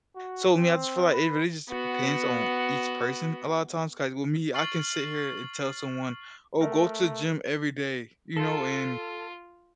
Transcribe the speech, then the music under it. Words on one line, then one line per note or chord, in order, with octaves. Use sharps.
So, I mean, I just feel like it really just depends on each person a lotta times 'cause with me, I can sit here and tell someone, "Oh, go to the gym every day" you know, and
F#4
C4
B4
B3 F#4
C#6 F6 A6 C7 F#7
A3 A#4
F4 A4